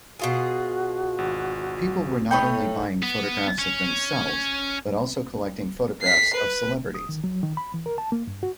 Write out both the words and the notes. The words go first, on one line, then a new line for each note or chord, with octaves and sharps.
People were not only buying photographs of themselves, but also collecting photographs of celebrities.
B2 F4 F#4 G#4
G#1
A2 A3 D#4 C#5 G5 B5 G6
B3
C#4
B6 C7
B4
D#6
D#3
F#3
D#3
B5
E3
A#4
A5
A#3
G2
F#4